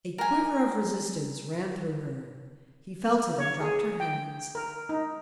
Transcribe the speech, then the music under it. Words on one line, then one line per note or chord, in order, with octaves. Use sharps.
A quiver of resistance ran through her: he felt it and dropped her hands.
A#4 G#5
C#5
G#4
G5
A#4
D#4